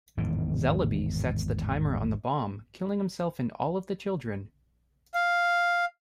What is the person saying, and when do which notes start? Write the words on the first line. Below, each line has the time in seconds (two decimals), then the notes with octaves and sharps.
Zellaby sets the timer on the bomb, killing himself and all of the Children.
0.17 G#1 E2 A2 D#3
5.14 F5